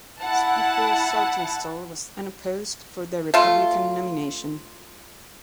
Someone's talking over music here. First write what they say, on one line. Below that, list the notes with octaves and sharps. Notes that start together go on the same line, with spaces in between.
Speaker Saltonstall was unopposed for the Republican nomination.
E4 F#5 A5
A3 F4